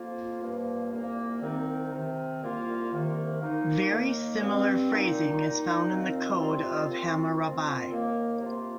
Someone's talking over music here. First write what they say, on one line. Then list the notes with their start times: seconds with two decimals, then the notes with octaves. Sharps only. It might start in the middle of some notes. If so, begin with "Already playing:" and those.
Very similar phrasing is found in the Code of Hammurabi.
Already playing: F2 F3 A#3 F4
0.40 G2 F3 A#3
0.91 C2 A#2 A#3
1.40 C2 C3 D#3 C4 D#4
1.90 C3 D#3 C4
2.41 C2 A#2 A#3 F4
2.91 C2 C3 D#3 A#3
3.40 A#2 A#3 D#4
3.90 D#2 D#3 A#3
4.39 G2 G3 C4
4.90 A#2 G3 D#4
5.40 A#2 G3 D#4
5.89 D#2 D#3 C4 F4
6.39 C3 G3 C4 F4
6.89 A#2 F3 C4 F4
7.38 A#2 F3 C4 F4
7.89 D#2 D#3 A#3
8.38 C3 F3 A#3 F4